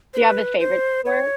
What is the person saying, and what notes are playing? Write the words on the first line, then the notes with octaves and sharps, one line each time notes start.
Do you have any favorite sport?
C5
B4
C5
C#5